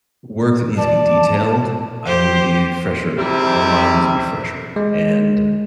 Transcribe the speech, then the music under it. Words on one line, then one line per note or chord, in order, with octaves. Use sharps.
work that needs to be detailed, I need to be fresher, my mind needs to be fresher. And, eh,
D5 A5
G4 C5
G#2 C3 G3 C4 E4
G#3